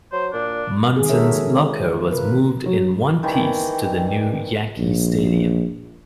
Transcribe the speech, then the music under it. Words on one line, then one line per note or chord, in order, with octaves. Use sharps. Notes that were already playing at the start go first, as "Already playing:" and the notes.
Munson's locker was moved in one piece to the New Yankee Stadium.
F#3 C5
A#2 D4
D#3 G#4
G#3 F#4 A4 A#4 C#5 E5
C3 E3 F4 A#4 B4
F#3
D#3 E3 G3
A#1